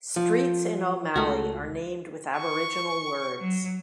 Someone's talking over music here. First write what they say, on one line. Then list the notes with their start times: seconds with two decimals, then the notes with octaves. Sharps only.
Streets in O'Malley are named with Aboriginal words.
0.16 F3 F4
1.16 C#2 A3 F#4
2.38 C#6
3.40 F#3